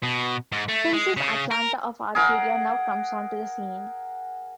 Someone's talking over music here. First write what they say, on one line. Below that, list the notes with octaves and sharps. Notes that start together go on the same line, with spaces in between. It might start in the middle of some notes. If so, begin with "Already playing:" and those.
Princess Atalanta of Arcadia now comes on to the scene.
B2
G#2
A3
G#3
C#3
A#4
G#4 A#4 F#5